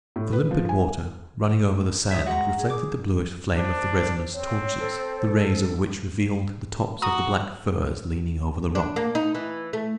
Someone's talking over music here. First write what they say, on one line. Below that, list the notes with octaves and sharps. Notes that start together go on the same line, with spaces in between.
The limpid water, running over the sand, reflected the bluish flame of the resinous torches, the rays of which revealed the tops of the black firs leaning over the rock.
A2
B4
F3
G#5
F#3 E5 D#6
G#3 F#4 A#5
G#4
D6
D4 C5
C4 C#5
A4 C5
F#4 A#5 D#6
D4
A#3
D#4
E3
A3